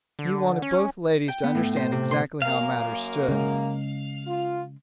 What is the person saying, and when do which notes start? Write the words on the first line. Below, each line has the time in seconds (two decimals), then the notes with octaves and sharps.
He wanted both ladies to understand exactly how matters stood.
0.19 D3
0.62 C#4
1.28 G5
1.43 B3
1.55 A2
1.76 C5
1.92 C3
2.11 C6
2.42 F#2 A#3 F5
3.28 C#3 G#3
4.26 F4